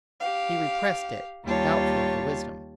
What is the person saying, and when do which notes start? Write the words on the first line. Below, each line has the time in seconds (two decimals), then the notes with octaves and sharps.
He repressed it, doubtful of the wisdom.
0.21 G4 F5
1.44 D#2 G3 F4 G4 C#5 A5